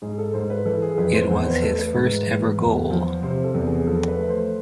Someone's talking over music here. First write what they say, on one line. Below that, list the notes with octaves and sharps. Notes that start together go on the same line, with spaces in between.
It was his first ever goal.
G#2 G#4
A4
G#2 C5
B4
E3 A4
G#4
F2 B4
C5
E2 C5
B4
A3 A4
B4
G#2
E3
E2
F3
C3 C5
A4
E2
G#4
F3 A4
B4
A3
C5